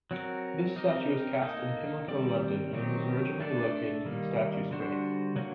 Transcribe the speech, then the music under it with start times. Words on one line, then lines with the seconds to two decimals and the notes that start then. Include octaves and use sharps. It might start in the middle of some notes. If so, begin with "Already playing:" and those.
This statue was cast in Pimlico, London and was originally located in Statue Square.
0.11 F#3 C4 F#4 A#4
0.76 C4 D#4 G4 A#4 D#5
1.42 A#3 D#4 A4 D#5
2.08 D#3 G3 C4 G4 D5
2.73 D#3 F#3 C4 D#4 G4
3.40 A3 D4 A4 D5
4.05 D#3 G3 A#3
4.71 D3 G3 D4 F#4 C5
5.36 D3 F#3 A#3 F#4